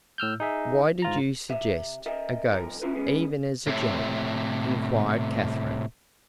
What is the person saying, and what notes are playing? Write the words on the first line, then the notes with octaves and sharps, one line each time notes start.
"Why did you suggest a ghost even as a joke?" inquired Katherine.
A2 E6 F6 G6
D#4 G#4 E5
G#2 F4 A#5
C3 E5
A#4 D#5 E5
C2 F2 A#4
C#4 D4 E4 F4 A#4 B4
G#3 B3 C#4 G#4 B4
A2 C3